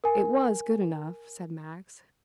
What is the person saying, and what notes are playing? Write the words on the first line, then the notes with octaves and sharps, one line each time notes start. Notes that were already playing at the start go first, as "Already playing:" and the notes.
"It was good enough," said Max.
A#4 G#5